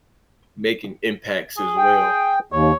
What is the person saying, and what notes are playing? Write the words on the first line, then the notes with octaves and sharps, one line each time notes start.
making impacts as well,
G#4
G5
D#2 C#5